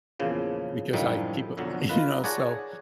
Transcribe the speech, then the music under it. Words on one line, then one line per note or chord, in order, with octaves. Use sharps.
because I keep e you know, so,
E2 A#2 C#3 F3
F#2 A2 D3 F3 G3 D#4
B1 F2 D3 F#3
D#4 F4 A#4 B4
G#4 C#5 D5 F#5 A5 A#5